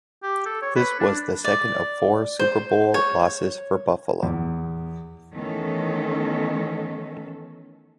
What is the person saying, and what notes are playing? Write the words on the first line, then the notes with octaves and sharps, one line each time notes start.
This was the second of four Super Bowl losses for Buffalo.
G4
A4
C#5
B4
D4
D5
C5
C#5
E2
D#3 E3 A3 B3 C#4 A4